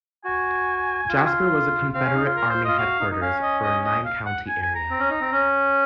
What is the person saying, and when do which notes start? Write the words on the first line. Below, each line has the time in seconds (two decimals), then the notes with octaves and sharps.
Jasper was a Confederate Army headquarters for a nine-county area.
0.24 F#4 G#5
1.09 F4
1.17 F#4
1.25 F4
1.94 C4 F5
2.05 C#4
2.15 D#4
2.26 F4
2.36 A#4
2.50 C5
2.65 F4 D#5
2.78 F#4 F5
3.00 D#4
3.11 D#4
3.21 C#4 F5
3.42 D#5
3.63 D#5
3.84 D#5
4.05 F5
4.26 F#5
4.48 G#5
4.62 G#5
4.75 A#5
4.90 C4
5.00 C#4
5.10 D#4
5.21 C4
5.32 C#4